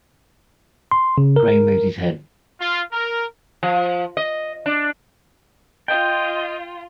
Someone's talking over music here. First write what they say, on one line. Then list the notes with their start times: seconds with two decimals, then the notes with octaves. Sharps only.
Graham moved his head.
0.91 C6
1.18 C#3
1.36 A#4
2.61 F4
2.93 A#4
3.63 F3
4.17 D#5
4.66 D4
5.88 F4 D#5 G5